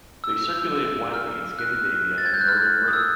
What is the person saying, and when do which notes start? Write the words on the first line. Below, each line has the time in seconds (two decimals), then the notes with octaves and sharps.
They circulated widely in Scandinavia and northern Britain.
0.24 E6
1.14 F6
1.52 F6
1.59 F#6
2.18 A6
2.26 G#6
2.34 G6
2.41 F#6
2.48 F6
2.88 D#6
2.93 E6